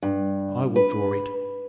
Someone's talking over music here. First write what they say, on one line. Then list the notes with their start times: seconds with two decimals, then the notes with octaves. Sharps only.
"I will draw it."
0.03 G2
0.76 B4